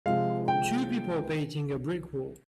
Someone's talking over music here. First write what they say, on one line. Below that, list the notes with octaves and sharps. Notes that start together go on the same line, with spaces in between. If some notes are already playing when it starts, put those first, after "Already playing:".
Two people painting a brick wall.
C3 F3 G#3 F5
G5